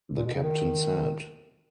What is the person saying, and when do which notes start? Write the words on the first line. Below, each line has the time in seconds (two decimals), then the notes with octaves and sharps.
The Captain said.
0.16 A#2
0.25 B2
0.34 C#3
0.43 D#3